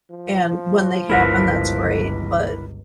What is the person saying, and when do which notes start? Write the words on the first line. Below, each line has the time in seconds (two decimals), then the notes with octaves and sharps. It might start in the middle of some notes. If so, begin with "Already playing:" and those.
and when they happen, that's great, but
0.11 F3
1.10 G1 C#2 E4 A#4 B4